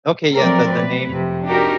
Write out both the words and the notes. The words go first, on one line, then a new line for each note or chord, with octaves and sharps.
Okay, yeah, the the name
F3 F#3 A3 C4 A#4 D5
B4
F2 C3
D4 D#4 F#4 G4 A#4